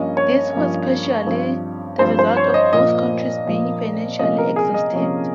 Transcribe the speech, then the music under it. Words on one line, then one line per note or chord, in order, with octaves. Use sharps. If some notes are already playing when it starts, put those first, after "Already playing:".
This was partially the result of both countries being financially exhausted.
Already playing: G2 F3 A#3 C#4 D#5
C#5
G2 F3 A#3 C#4
G2 F3 C4
G2 F3 C4 C5
C5
C#5
D#5
A#2 F3 A#3 D#5
A#2 F3 A#3
C3 F3 A#3 C#4 D#5
A#4
G#4
D#5
C3 F3 A#3 C#4